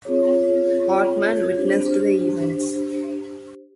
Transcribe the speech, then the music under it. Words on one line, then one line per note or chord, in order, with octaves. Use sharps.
Hartmann witnessed the events.
C4 F4 G#4 C#5
D4 G4 C5